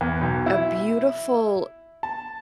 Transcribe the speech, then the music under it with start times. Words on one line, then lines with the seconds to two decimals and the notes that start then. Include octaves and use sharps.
a beautiful
0.01 E2
0.21 B1
0.46 E4
2.03 A5